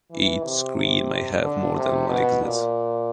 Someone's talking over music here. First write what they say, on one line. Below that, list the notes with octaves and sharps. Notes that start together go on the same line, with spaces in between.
Each screen may have more than one exit.
E3
C3
C3
D3
C3
B2
A#2